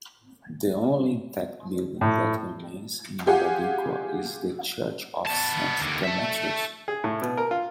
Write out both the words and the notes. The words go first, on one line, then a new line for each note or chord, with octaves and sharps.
The only intact building that remains in Ladiko is the church of Saint Demetrius.
A2
F4 G4 G#4 F#5 G#5
B3 A5
D#2 D3
A4 E5
G#4
A2
B2
A#4
F4